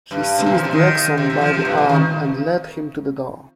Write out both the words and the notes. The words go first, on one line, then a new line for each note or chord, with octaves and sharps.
He seized Gregson by the arm and led him to the door.
G2
C3
A#2
F3
C3
D#3
C3
C3
F3
C3
G2
A#2
D#3